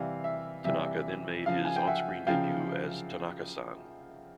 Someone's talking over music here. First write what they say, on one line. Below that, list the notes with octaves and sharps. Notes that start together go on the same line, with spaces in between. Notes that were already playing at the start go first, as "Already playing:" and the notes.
Tanaka then made his on-screen debut as "Tanaka-San".
Already playing: C3 E3 G3 F5
E5
C3 E3 G3 E5
C#3 F3 F5
G#5
G5
E5 F#5
C#3 F3 F5 G5